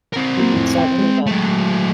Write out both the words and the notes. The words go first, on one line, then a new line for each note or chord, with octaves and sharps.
So it ended up
C4 A#4
F#3 A#3
F2 A2
G5
G#3
F#3 A3